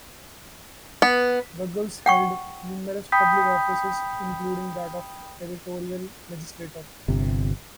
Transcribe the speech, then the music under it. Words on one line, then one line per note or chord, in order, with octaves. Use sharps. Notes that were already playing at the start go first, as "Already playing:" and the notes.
Ruggles held numerous public offices including that of Territorial Legislator.
B3
F#5 G5 C#6
G5 B5 D#6 G6 B6
G1 C3